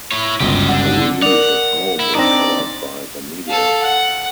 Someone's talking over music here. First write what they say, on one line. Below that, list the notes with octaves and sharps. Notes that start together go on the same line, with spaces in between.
The release of "Home" was covered by the media.
E4 C#5
G1 C#2 F#2 G4 D#5
D3 D4 F#5
A#4 D5 F#5 F7
E4
C4 D4 D#4 D5 A#5 A#6
A4 F5
F#5